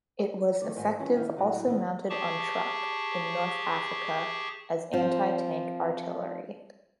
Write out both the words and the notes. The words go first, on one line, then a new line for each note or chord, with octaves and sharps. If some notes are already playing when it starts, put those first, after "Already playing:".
It was effective also mounted on truck, in North Africa, as anti-tank artillery.
D#3 A3 D5
G#2 D#3 F3 G3
D#3 E3 G3 C#4 F4
D#3 E3 E5 F5 G5
A2 D3 F#3
D#3 B3 C4 E5
G4 G#4 A5 C#6
F3 C4